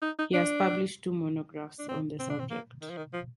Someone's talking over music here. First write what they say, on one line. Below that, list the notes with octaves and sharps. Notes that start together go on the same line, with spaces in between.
He has published two monographs on the subject.
D#4
D#4
D4
D4
C4
C4
D4
C4
A#3
D#3
F3
D#3
F3